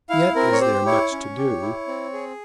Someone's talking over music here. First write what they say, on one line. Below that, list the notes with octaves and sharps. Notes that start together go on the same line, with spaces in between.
Yet is there much to do.
E4 F5
C4 A#4
C#5
G4 C5
E4 C#5
C#4
G4
E4
C4
G#4